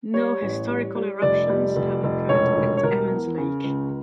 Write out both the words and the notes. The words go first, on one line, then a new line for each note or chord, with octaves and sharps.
No historical eruptions have occurred at Emmons Lake.
G3 C#5
A1
G3
G3
F1 D5
G3
F1
F1
E1 C#5
E1
C#5
E1 A#4
E2
C#3
C#2